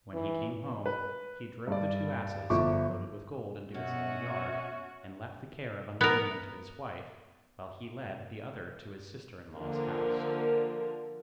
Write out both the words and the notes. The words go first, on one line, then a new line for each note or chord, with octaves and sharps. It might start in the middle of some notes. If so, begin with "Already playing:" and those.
When he came home, he drove the two asses loaded with gold into his little yard, and left the care of unloading them to his wife, while he led the other to his sister-in-law's house.
E3
B4
G2 D5
G1 F3 E4 C#6 D6
B2 C#4 F#4 E5
B3 A#4
D3 F3 A#3 A#4